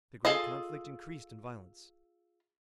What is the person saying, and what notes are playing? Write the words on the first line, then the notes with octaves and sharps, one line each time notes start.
The great conflict increased in violence.
F4 G#4 A4 D#5